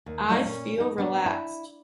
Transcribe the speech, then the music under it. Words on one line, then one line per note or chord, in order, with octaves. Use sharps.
I feel relaxed.
D#2
G3 A3 D#4 C#5 D#5 F5
A#2 C#4
D#4 G#4
B3 D4
E4